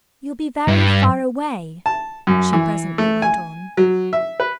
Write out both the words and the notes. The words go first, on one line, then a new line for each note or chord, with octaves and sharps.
"You'll be very far away," she presently went on.
G2
A5
F#2
E3
A3
G#5
F#3
E5
B4